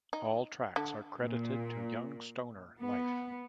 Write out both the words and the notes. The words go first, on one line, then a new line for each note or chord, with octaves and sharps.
All tracks are credited to Young Stoner Life.
D#4
D3
A#2
B3